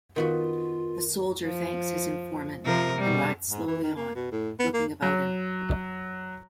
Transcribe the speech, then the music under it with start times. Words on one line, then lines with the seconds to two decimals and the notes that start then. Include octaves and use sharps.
The soldier thanks his informant and rides slowly on, looking about him.
0.16 D#3 B3 F4 F#4 A#4
1.45 F3
2.65 C3 F3 A#4
2.99 B2 G3
3.49 G#2
3.67 E3
3.83 D#3
3.97 A#3
4.15 B2
4.32 A2
4.60 B3
4.74 A#3
5.02 F#3